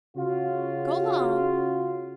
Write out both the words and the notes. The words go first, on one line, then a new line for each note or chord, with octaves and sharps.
Go 'long.
C#3 F4 F#4